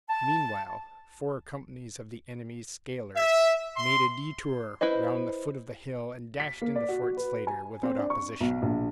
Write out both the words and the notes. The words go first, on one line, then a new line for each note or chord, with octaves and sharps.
Meanwhile, four companies of the enemy's scalers made a detour round the foot of the hill, and dashed into Fort Slatter without opposition.
A5
E5
C6
E4 B4 C5 D#5
B6
A#3
D5
F#4
F#4
B4
G#5
C4
D4
C#6
B1
A#1